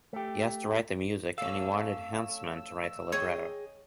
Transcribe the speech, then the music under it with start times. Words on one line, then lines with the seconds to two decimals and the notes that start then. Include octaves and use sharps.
He was to write the music and he wanted Hansemann to write the libretto.
0.13 A3 G4
1.38 A3 C#4 A4 F5 E6
3.12 G#4 C#5 D#5 G5